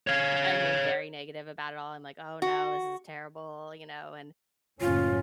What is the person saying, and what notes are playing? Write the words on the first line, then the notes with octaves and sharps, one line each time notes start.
I mean, very negative about it all. I'm like, "Oh, no. This is terrible," you know? And,
C#5 F5
F#4
F#1 A2 C#4 F4